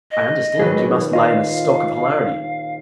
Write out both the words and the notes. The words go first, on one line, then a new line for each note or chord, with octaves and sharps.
"I understand; you must lay in a stock of hilarity."
D#5
D#1 F#3 G#4 B4
F4 D#5 F5